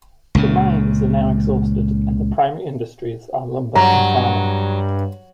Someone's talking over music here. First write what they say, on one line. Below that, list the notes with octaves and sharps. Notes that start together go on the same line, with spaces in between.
The mines are now exhausted and the primary industries are lumber and farming.
C#2 A#2 C#3
G2 F#3 A#5